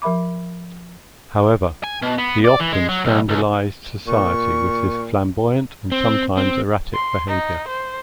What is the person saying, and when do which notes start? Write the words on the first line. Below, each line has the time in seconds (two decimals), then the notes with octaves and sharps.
However, he often scandalized society with his flamboyant and sometimes erratic behavior.
0.02 F3 A#4 E5 B5 D6
1.84 G#5
2.02 B2
2.18 B3
2.44 D5
2.60 E3
2.72 G#3
2.89 F#3
3.05 B1
3.29 C#2
4.07 A#2 C#6
5.92 C4
6.37 C4
6.94 C6
7.28 D#4
7.68 C5